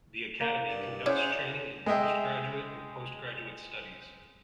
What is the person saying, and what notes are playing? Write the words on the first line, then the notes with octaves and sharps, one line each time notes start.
The Academy conducts training in postgraduate and postgraduate studies.
A#3
G2 D5
C#4 E4 G#4 C5 D5 F#5
G#3 G#4 D#5 E5 G5